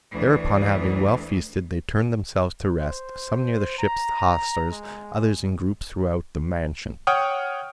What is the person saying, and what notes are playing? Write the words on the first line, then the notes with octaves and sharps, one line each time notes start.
Thereupon having well feasted they turned themselves to rest, some near the ship's hawsers, others in groups throughout the mansion.
D2 E3
C5
A#5
G#3
C#5 F#5 G5 D#6 F6